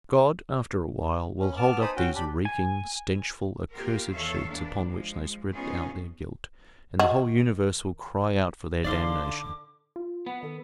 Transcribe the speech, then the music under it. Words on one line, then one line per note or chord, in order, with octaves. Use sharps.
God, after a while, will hold up these reeking, stenchful, accursed sheets, upon which they spread out their guilt, and the whole universe will cry out for their damnation.
C#4
B3 A5 D6 F6
D#4 C5 G#5 A5 B5 D#6
C#4 F#4 G5
D4 G4 B5
G#5
A#3 B3 F4 G4 A#4
E2 D#3 A4 C#5 E5 F5
E2 E3 A#3 D4
F3 G#3
B3 C#4 D#4 F4 G#4
D#3 F#4
D3 D4 D#4 D5 F5 C6 D6
F4
B3 F#5
D#3 A4